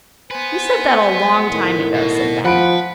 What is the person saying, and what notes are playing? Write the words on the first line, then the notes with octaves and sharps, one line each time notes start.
"You said that a long time ago," said Benny.
B3 B4 C5 G#5
A2 D#3
B2
F3 B4 F#5 B5 D7